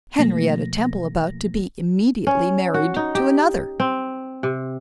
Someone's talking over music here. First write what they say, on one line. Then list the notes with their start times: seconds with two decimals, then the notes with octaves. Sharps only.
Henrietta Temple about to be immediately married to another!
0.19 B2 F3 A3 A#3 A#6
2.27 C#4
2.74 F#4
2.96 D#4
3.15 G4
3.80 C4
4.43 C3